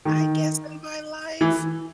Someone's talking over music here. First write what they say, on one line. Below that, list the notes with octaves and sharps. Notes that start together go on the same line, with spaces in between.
I guess, in my life,
D#3
E3